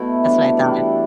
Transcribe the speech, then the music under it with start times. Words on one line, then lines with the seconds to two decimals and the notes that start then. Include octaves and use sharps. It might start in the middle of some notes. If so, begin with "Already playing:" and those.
That's what I thought.
Already playing: B2 A3 E4
0.23 E3 G3 D4
0.57 E3 G3 D4